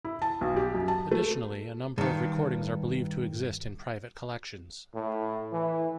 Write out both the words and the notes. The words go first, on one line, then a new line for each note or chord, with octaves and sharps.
Additionally a number of recordings are believed to exist in private collections.
E4
A5
B1
G4
F#2
A5
A3
G2 D#3
A2
E3